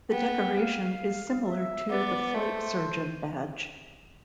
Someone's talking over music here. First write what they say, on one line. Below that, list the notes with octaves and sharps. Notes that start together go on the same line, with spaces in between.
The decoration is similar to the Flight Surgeon Badge.
B3 G5
F5
E5
B3 D5
A3 C5